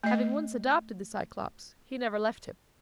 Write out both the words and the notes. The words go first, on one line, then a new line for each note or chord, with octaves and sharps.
Having once adopted the Cyclops, he never left him.
A3 D#5